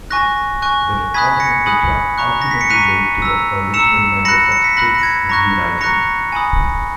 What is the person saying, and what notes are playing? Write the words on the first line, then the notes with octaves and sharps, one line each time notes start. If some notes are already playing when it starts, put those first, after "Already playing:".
The recording of the track ultimately led to the original members of Styx reuniting.
G#5 C#6 F#6 A#6
G#5 C#6 F#6
G#5 B5 D#6 F#6 G#6 B6
A#6 C#7
G#5 B5 D#6 F#6
A#5 C#6 F#6
A#6
B6
C#7
A#5 C#6 F#6 B6 D#7
A#5 E6
A#5 E6 C#7 E7
B5 F#6 A#6 C#7
C#7
B6
B5 F#6 A#6
A#6
G#6
A#5 C#6 F#6 A#6
A#5 C#6 F#6 A#6 C#7
G#5 B5 D#6